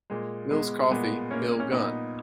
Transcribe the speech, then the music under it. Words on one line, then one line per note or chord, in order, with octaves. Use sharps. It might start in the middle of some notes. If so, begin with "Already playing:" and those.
Mill's Coffee Mill Gun.
A#2 G#3
G#3 B3
A#2 G#3 B3
A#3 C#4
C#4
A#2 B3 D#4